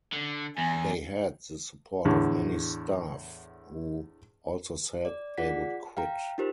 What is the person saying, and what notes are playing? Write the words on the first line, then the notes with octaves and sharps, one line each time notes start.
They had the support of many staff who also said they would quit.
D3
E2 G#5
E2 A2 D3
D5
F4 G#4 D5 F#5 B6
F5 G5 A#5
D#4 F4 G4 A#4 C5